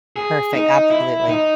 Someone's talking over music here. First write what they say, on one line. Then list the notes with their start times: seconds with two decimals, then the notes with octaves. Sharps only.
Perfect, absolutely.
0.16 G#4
0.54 D#4
0.91 E4
1.29 D#4